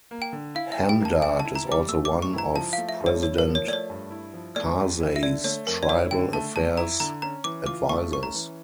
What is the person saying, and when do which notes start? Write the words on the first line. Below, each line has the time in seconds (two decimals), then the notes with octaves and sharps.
Hamdard is also one of President Karzai's tribal affairs advisors.
0.11 A#3
0.22 G5
0.33 D3
0.55 E4 F5
0.72 E5
0.78 G3
0.89 G5
1.00 A#3 A5
1.22 D3 G5
1.39 A5
1.45 E4
1.55 A#5
1.66 G3
1.72 D6
1.88 A3 E6
2.05 D6
2.11 G2
2.22 C#6
2.33 E4 A#5
2.55 F3 A5
2.73 F5
2.78 A3
2.89 E5
3.00 G2
3.06 C#5
3.22 E4 C#5
3.38 A#4
3.44 F3
3.55 C#5
3.67 A3 D5
3.73 C#5
3.90 G2
4.11 E4
4.34 F3
4.56 A3 D5
4.78 F2
5.00 E4
5.16 E5
5.23 D3 D5
5.44 A3 C#5
5.67 F2 A#4
5.83 D5
5.89 E4 C#5
6.11 D3 G5
6.33 A3 A5
6.56 F2 A5
6.77 E4 A#5
7.00 D3 A#5
7.22 C#4 A#5
7.44 E3 D6
7.66 F4 D6
7.89 A3 C#6
8.11 C#4 C#6
8.23 A#5
8.34 E3